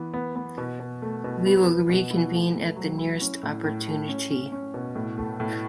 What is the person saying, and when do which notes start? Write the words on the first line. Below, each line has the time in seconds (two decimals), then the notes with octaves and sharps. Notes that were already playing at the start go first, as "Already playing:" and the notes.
We will reconvene at the nearest opportunity.
Already playing: E3 B3
0.14 B3
0.36 B3
0.58 B2
0.80 B2
1.02 A3
1.24 B2
1.46 B3
1.67 B3
1.89 B2
2.11 E4
2.33 A3
2.54 A3
2.76 F#3
2.98 E4
3.21 C#4
3.43 A2
3.64 A2
3.87 A3
4.08 C#4
4.30 C#4
4.52 C#4
4.74 B2
4.95 A2
5.17 A3
5.40 A2